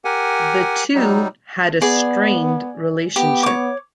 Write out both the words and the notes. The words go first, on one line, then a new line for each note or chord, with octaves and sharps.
The two had a strained relationship.
G4 A#4 F#5 G#5
F#3 G3 D#4
B3 G#4 D5
B3 G4
C#5 D6